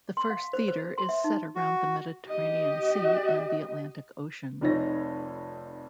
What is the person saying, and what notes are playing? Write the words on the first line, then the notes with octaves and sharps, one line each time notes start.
The first theater is set around the Mediterranean Sea and the Atlantic Ocean.
C6
F5
C5
C5
C6
E5
D#4
F#4
G4 D#5
F1 F2 D#4 C#5 A#6